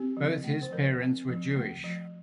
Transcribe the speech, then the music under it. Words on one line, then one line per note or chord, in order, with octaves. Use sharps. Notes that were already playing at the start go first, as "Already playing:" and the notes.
Both his parents were Jewish.
Already playing: C4 G4
F3
A3
C5
F3 A#4
C4
F3
A3
F3